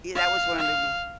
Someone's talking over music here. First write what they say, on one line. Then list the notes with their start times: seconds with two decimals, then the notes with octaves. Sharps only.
yeah, that was one of the r
0.15 F5
0.58 F5